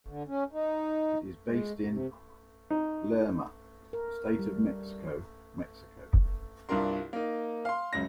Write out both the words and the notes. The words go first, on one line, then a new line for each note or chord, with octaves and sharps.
It is based in Lerma, State of Mexico, Mexico.
D3
C#4
D#4
G#3
C3
D#4
A#4
G3
C2 G2 D4 F4 A#4 C6
A#3 D#4
F5 C6
C#2 F#2 C#4 A#6